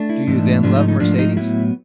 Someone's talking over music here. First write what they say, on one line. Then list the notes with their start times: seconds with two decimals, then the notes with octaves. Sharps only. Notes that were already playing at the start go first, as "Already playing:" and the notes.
"Do you, then, love Mercedes?"
Already playing: A3 D4
0.09 E4
0.27 G#2 E3 A3 D4 D#4
0.63 G#2 F3 A3 D4
0.76 D#4
0.88 D#4
1.00 G#2 F3 A3 D4
1.19 D#4
1.37 A2 F#3 B3 E4